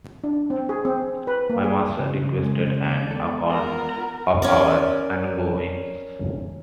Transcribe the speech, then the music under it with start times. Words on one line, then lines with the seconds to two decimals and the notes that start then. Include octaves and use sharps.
My master requested an account of our ongoings.
0.24 D4
0.50 C4
0.69 G#4
0.85 C4
1.27 B4
1.50 A#3
1.64 G#4
1.99 C#3
2.43 G#3
2.80 D5
3.11 B3 A4
3.50 B3 F4 A#4
4.42 C#4 A#4 D5